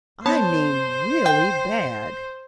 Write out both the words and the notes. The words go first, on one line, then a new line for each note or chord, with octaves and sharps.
I mean really bad.
B3 C5 C#5 A5
G5